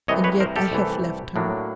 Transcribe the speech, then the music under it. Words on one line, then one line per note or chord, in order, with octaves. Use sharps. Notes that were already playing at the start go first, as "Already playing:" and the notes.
And yet I have left him.
C2 C3 E3 A3 C#5 D#5
B4 C#5
A#4 C5
G4 A4
C2 C3 E3 A3
A2 F#3 A#3 D4